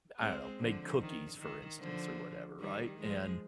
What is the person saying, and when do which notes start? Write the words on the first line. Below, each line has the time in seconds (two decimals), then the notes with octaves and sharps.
I don't know, make cookies, for instance, or whatever, right, and
0.19 G#3 C4
0.59 D3 F3
1.00 D#3
1.39 D#3
1.79 D3 F3
2.60 D#3 G3
2.99 F3 G#3